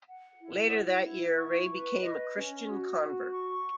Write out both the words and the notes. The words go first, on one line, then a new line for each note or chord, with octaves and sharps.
Later that year Ray became a Christian convert.
F#5
E4
F#5
E4
C#6
B4
D#5
C#4
F#4
F#4
C#6